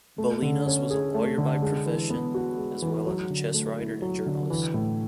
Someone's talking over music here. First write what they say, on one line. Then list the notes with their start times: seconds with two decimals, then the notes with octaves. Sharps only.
Balinas was a lawyer by profession, as well as a chess writer and journalist.
0.18 A3
0.42 D3
0.66 C#4
0.90 G#4
1.14 A3
1.38 D3
1.62 G#3
1.86 E3
2.10 B3
2.35 F#4
2.58 G#3
2.82 E3
3.06 F#3
3.30 D3
3.54 A3
3.78 E4
4.02 F#3
4.26 D3
4.50 E3
4.74 A2